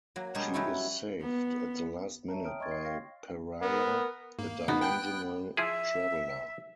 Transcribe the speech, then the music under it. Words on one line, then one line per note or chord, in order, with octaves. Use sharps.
She is saved at the last minute by Pariah, a dimensional traveler.
F#3 A#3
B2 G3 G#3 D4 G#4 A#4
F#3 G3 C#4 E4 C#5
B3
C#5 E5 A5 A#5
C#5 G5 D#6 F6 D7
C#5 D#5 C6 C#6 G#6 A6
C7
F5 G5 C#6 F6 A#6
B3 A#4
G#2 A#3
C#3 B3 D#4 F#4
F#5 G5 A5 F#6 G6
F3 E4 G#4 E5